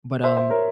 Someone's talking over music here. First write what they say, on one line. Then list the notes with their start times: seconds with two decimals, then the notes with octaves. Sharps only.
but, um
0.24 C5 E5
0.37 C5 E5
0.50 A#4 C#5